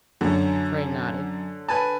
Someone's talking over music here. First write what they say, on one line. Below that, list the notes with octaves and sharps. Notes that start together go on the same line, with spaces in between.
De Craye nodded.
F#2 D3 C#5
B4 G#5 A5